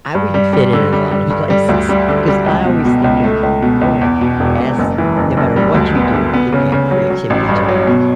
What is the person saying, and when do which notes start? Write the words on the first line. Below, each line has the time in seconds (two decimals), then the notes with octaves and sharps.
I wouldn't fit in in a lot of places 'cause I always think of work as no matter what you do, you can add creativity to it
0.15 G2
0.34 G3
0.53 G3
0.73 D3
0.93 G3
1.11 G3
1.30 G2
1.50 G3
1.69 D2
1.89 G3
2.09 D3
2.28 G3
2.46 C#2
2.65 B2
2.85 B2
3.04 C#2
3.24 A3
3.43 C#2
3.62 B2
3.81 C#2
4.01 E2
4.21 B2
4.40 E1
4.60 E1
4.78 F#1
4.98 E3
5.17 F#1
5.37 F#1
5.56 G3
5.75 D2
5.95 B3
6.14 D3
6.34 B3
6.52 C#3
6.72 C#3
6.91 F#3
7.10 F#3
7.30 A1
7.49 G2
7.68 F#3
7.87 B2